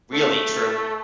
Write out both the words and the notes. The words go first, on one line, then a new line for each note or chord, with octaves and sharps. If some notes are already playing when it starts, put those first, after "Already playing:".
Really true.
A3